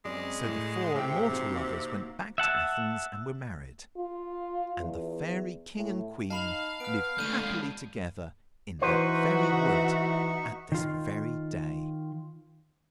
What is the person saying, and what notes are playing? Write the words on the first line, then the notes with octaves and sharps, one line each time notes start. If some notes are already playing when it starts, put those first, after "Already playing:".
So the four mortal lovers went back to Athens and were married; and the fairy King and Queen live happily together in that very wood at this very day.
F#2 G#3 C4 D5
A2
A2 C3 E5 G5
G#4 C#7
A#3 C4 D#4 F#4 C5
F#4 F5
E5 F#5 A5
F4
E2
A2
D#4 F5 A5 B5 F7
B3 F6 D7
D#2 D3 A3 G6 D#7
D#2 G#3
E3 D#4 F#4 B4 C5 E5 C#6
D#3 F4